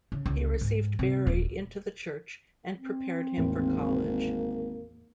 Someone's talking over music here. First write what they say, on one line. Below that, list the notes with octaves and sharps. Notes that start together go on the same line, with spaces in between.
He received Berry into the church, and prepared him for college.
C#3
C#2
G#2
C3
D#1
C4
G#1 E2 A2 A#3